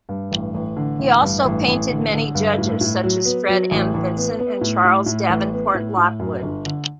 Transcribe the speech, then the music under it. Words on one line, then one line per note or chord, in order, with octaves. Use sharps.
He also painted many judges such as Fred M. Vinson and Charles Davenport Lockwood.
G2
A1
A1
D3
A1
G2
A1
A1
D3
D3
G2
A2
A2
F#3
B3
F#3
A1
A1
B3
B3
A2
A2
A2
A1
B3
A2
A2
F#2
G1
D3